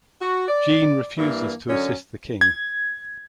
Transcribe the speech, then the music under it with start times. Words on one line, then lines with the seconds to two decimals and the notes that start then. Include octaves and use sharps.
Jean refuses to assist the king.
0.21 F#4
0.48 D5
1.18 G2 E3 A#3
1.69 F#2 D3 F#3 C#4
2.41 G#6